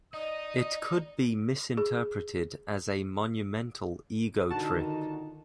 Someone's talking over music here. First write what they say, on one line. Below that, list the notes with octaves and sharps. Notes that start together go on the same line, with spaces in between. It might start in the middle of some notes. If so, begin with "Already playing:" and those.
It could be misinterpreted as a monumental ego trip.
D#4 D5 D#5 D#6
G#4
A#2 D3 D#3 D4 D#4 F#4 A5